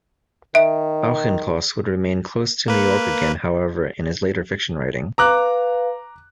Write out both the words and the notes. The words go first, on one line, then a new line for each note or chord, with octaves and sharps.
Auchincloss would remain close to New York again, however, in his later fiction writing.
D#3 E5
A#3 B4
B4 F5 A#5 D6 F#6